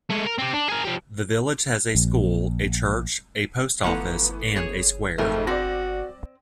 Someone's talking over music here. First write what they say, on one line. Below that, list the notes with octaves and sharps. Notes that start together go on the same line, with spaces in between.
The village has a school, a church, a post office, and a square.
G#3 A3
A#4
C4 G4
D4
G#4 A#4
F3 G4
A#1
G1 E3 F3 A3 B3 F#5 A#5
G#4 C#5
B1 F2 G#2 A3 A#4
C4 F#4 D5 A#6